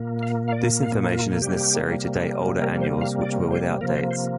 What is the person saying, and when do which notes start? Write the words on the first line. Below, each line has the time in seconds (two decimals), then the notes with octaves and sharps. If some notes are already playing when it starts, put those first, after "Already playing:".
This information is necessary to date older annuals which were without dates.
Already playing: A#2 A#3
0.23 F5
0.48 F5
0.52 D5
0.83 F5
1.12 F4
1.42 C3 G3 A#3 G4
2.62 A#4
2.81 C5
3.01 F5
3.21 D5
3.51 C5
3.81 C3 F3 A#3 A#4
3.96 C5
4.11 C5